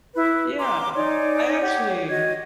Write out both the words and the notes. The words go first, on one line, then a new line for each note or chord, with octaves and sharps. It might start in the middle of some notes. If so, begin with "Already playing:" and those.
Yeah. I actually
E4 B4
A#5 C6 D6
D#4 C#5 D5 G#5
G4 C#5 F#5
F#4 D#5 G#6